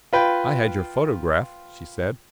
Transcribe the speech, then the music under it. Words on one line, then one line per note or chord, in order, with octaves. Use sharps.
"I had your photograph," she said.
F4 B4 G5